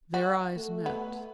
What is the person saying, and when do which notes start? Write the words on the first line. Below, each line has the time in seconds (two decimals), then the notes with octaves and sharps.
Their eyes met.
0.14 F#4
0.56 A3
0.86 B3